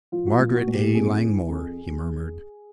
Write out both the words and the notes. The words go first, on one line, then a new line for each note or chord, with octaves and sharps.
"Margaret A. Langmore," he murmured.
F3 F4
F#4
F4
A#2
F#4
A#2
G4
F2 G#4
E3
F2